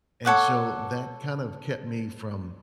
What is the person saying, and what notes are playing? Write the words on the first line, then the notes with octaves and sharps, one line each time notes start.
and so that kind of kept me from
A4 C#5 F#5 D6